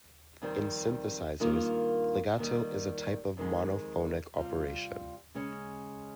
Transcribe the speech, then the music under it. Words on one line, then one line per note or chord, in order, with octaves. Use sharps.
In synthesizers legato is a type of monophonic operation.
F2 D#3 G3 C4
G2 D#3 A#3 F4
D#2 D#3 G3
F2 D#3 G#3
C3 G3 C4 F4
C#3 G#3 C#4